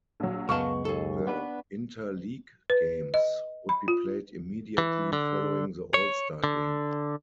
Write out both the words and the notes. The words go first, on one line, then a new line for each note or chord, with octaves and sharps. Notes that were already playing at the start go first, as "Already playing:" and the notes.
The interleague games would be played immediately following the All-Star Game.
A#1 F#3
C#2 F#2 G#3 B3 A#4 F5 A5 C#6
D#2 G#4 A4
B3 D4 B4
B4
D#5
B5
F4
E3
D3
C#5
D3